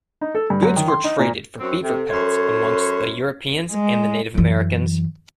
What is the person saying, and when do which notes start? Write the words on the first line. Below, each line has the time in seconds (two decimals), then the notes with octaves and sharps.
Goods were traded for beaver pelts amongst the Europeans and the Native Americans.
0.21 D#4
0.35 A4
0.50 G2
0.63 F#2
0.76 D#3
0.88 C6
1.04 D#4
1.19 A#2
1.60 F#2 F#3 C4
1.82 C3 A4
2.10 F#2 C5 C#5
3.71 G#3
4.35 F#2 E3